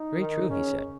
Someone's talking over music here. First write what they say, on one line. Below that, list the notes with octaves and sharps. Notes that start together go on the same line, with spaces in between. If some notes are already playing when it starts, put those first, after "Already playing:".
Very true, he said.
Already playing: D#4
D#3
C#3 C#4